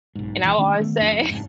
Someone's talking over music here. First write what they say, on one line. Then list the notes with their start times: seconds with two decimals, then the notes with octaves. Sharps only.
And I will always say
0.15 B1 G#2
0.42 F#1 B1 E3
0.58 D#3 A3 C#4 D4
0.80 D#3 A3 B3
1.00 F1 F2 B2 D4
1.29 F1 G#2